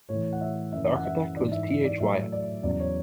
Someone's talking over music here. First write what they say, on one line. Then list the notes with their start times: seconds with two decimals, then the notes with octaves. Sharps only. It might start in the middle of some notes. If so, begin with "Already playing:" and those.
The architect was T. H. Wyatt.
0.09 A2 E3 C#5
0.33 F#5
0.41 E5
0.72 F#2 E3 E5
0.95 F#5
1.05 E5
1.36 G#2 E3 D5
1.52 E5
1.69 E5
1.84 D5
2.00 A2 F#3 E5
2.32 D5
2.63 E2 C#3 F#3 D5
2.80 C#5